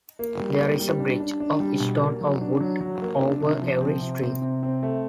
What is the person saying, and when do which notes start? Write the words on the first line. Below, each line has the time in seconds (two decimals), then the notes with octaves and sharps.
There is a bridge of stone or wood over every stream.
0.19 A#3
0.40 G3
0.60 A#3
0.80 G3
1.00 D4
1.20 D4
1.40 D4
1.60 G3
1.80 B2
2.00 A#3
2.21 F#3
2.41 D4
2.60 F#3
2.81 F#3
3.02 A#3
3.22 D4
3.41 C3
3.62 F3
3.82 C4
4.01 C3
4.21 C4
4.42 C3
4.63 C4
4.83 A3